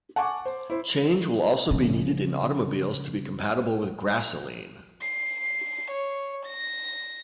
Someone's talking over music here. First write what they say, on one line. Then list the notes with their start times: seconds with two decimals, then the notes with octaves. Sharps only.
Change will also be needed in automobiles to be compatible with grassoline.
0.16 F#5 G#5 A5 C#6 D6
0.45 C5
0.70 E4 C5
1.71 C#3 F3
5.01 C7
5.91 C#5
6.46 A#6